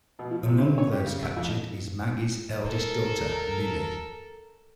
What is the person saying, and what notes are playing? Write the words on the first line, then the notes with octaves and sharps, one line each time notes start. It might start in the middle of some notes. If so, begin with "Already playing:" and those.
Among those captured is Maggie's eldest daughter, Lilly.
B2
F3
C3
B1
C#5
G4
C#3
E5
F2
A4 A#4